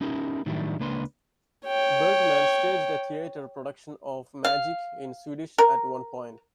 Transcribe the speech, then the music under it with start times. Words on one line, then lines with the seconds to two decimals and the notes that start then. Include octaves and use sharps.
Bergman staged a theatre production of "Magic" in Swedish at one point.
0.01 C#4 D#4 E4 G4 A#4
0.46 A2 D#3 F#3 G3 D4 E4
0.80 C#2 A#3 D4 B4 F#5 C6
1.66 C#5 G5
4.45 F5
5.58 A#4